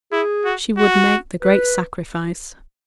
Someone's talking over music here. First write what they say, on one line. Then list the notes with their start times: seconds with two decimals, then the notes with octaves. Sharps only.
She would make the great sacrifice.
0.12 E4 G#4
0.45 F#4
0.78 F#4
1.43 B4